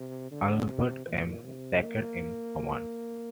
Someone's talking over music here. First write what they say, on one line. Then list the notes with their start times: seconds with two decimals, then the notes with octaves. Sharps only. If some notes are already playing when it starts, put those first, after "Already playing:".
Albert M. Sackett in command.
Already playing: C3
0.31 D3
0.68 C3
1.07 A#2
1.45 C3
1.83 A#3